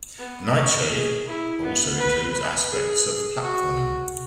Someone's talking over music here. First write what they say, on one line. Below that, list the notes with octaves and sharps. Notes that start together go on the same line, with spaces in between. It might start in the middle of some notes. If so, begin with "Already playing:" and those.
"Nightshade" also includes aspects of platforming.
B3
C#4
G#4
E4
B3
B4
B4
G#4
F#4